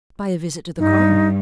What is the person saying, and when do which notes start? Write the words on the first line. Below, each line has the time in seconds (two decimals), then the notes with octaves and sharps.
"By a visit to the cardinal."
0.79 G2 D#4